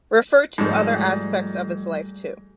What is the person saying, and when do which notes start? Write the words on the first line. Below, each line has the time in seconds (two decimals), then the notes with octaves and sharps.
Refer to other aspects of his life too.
0.58 G#2 F3 G3 A3